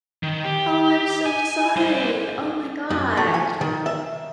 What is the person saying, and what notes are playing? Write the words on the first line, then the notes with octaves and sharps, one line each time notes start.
Oh, I'm so sorry. Oh my gosh.
D#3
G4
G#5
G3 C5
F#2
A3
G#5
D#3
E5